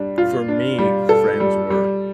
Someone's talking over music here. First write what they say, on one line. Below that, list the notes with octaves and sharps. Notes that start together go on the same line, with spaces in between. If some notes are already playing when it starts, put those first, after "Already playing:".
for me, friends were,
Already playing: G3 D4
F4
D4
G3
A4
G3
G3